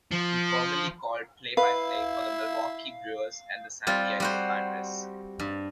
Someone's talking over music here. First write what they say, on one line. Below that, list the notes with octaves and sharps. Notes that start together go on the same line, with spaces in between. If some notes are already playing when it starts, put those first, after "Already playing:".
He formerly called play-by-play for the Milwaukee Brewers and the San Diego Padres.
F3
E4 B4 F5
G3 C4 F4
G3 F#4 C5
G2